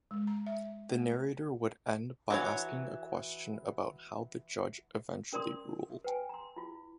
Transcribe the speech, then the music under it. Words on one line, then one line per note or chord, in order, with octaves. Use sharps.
The narrator would end by asking a question about how the judge eventually ruled.
G#3
A#5
E5
A3
E3 F#3 C#5
C#4 A#4 D5 C6 D#6
B4 G5 G#5
A#5 C6
E4 F4